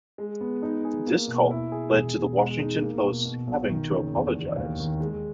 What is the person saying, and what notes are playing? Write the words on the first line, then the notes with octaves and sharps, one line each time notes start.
This column led to the Washington Post's having to apologize.
G#3
B3
D#4
G#4
A#3
B2
E4
G#4
E1
E1
G#3
D#4
A#3
B2
B2
B1
D#3
F#1
E2
E2
D#2
D#3
G#3